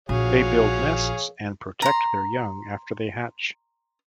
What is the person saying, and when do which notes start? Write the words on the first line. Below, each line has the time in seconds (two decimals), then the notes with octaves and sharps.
They build nests and protect their young after they hatch.
0.09 A#1 F#4 G#4 C#5 F5
1.82 A#5 C6